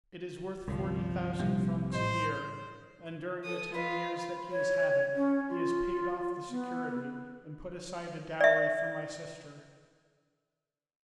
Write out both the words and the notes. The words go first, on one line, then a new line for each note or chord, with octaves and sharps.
It is worth forty thousand francs a year, and during the ten years that he has had it, he has paid off the security and put aside a dowry for my sister.
G1 C2 F3
A#1 C3 G3 C4
A2 C5 D#5
A4 D#6
E4 F4 B4 D#5
C#5
C#4
F4
B3
D5 E5